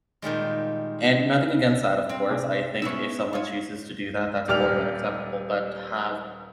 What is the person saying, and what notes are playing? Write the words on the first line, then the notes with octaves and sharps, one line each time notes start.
and nothing against that, of course. I think if someone chooses to do that, that's more than acceptable, but to have
A#2 D#3 G3 G#3
C4
C3 D4 G#4
B3 C#4 E4 C#6 E6
F4 C#5
D#1 G4 D5 F6 F7